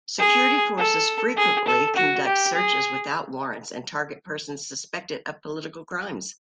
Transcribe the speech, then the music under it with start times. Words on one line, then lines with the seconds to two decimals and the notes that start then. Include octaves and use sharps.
Security forces frequently conduct searches without warrants and target persons suspected of political crimes.
0.19 G#4
0.78 A4
1.37 G#4
1.67 A4
1.96 F#4
2.26 G4
2.55 G#4